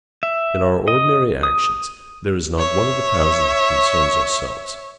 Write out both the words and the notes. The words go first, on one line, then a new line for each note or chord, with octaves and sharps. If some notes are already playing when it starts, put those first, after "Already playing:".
In our ordinary actions there is not one of a thousand that concerns ourselves.
E5
D#5
D#6
C#5 E5